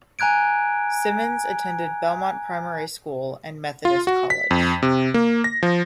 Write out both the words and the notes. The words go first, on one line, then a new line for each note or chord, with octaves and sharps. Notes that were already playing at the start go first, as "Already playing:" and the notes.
Simmons attended Belmont Primary School and Methodist College.
G#5 A#5 F#6 G#6 D7
F4
F#4
B6
F2
C3
A#3
A#6
F3